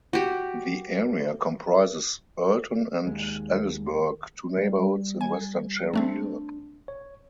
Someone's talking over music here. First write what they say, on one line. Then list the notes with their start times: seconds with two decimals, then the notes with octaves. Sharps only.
The area comprises Erlton and Ellisburg, two neighborhoods in western Cherry Hill.
0.13 F#4 G4
3.06 D#2 G#3
4.58 G3
5.21 G#5
5.94 G3 A3 C4 D4
6.88 C#5